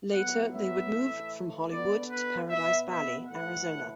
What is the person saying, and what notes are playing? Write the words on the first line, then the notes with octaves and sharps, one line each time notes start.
Later, they would move from Hollywood to Paradise Valley, Arizona.
A2 F#3 B3 F#5
E5
A2 E3 A3
D3 B3 D5
B4
B2 B3 E5
E5
A2 E3 A3 F#5